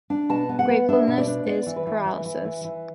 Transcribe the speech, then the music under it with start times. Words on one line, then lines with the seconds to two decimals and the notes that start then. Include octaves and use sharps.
Gratefulness is paralysis.
0.10 D4
0.29 B2 A5
0.49 B3
0.59 F#5
0.69 B3
0.89 D4 E5
1.07 B2
1.18 D5
1.27 D4
1.47 B3 D5
1.66 E3
1.76 B4
1.86 E3
2.06 E3
2.25 E3
2.45 E3
2.65 E3